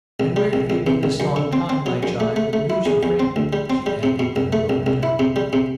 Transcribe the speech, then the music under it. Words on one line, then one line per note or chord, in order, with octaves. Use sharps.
"And where have you been this long time, my child; and who's your friend?" she added in a lower tone.
C2
G3
C2
C2
C3
C2
F#2
D3
C4
C4
F#3
F#2
A3
A3
A3
E4
E2
E2
C4
D2
G3
C4
G3
C3
B2
C2
A3
C2
C2
E4
C3
G3
C3